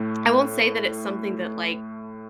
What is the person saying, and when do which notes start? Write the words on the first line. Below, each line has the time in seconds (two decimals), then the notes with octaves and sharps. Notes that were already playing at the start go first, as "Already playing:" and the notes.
I won't say that it's something that, like,
Already playing: A2 A3